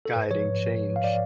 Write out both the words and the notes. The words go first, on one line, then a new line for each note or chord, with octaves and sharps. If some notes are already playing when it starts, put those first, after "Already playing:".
guiding change,
A4
G#2 B4
F3 C#5
G#2
F3
G#2
F3
F5
D5